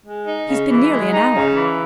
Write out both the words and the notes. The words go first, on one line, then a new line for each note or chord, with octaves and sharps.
He's been nearly an hour.
G#3
D#4
C#3
E3
G#3
D#4
C#3
E3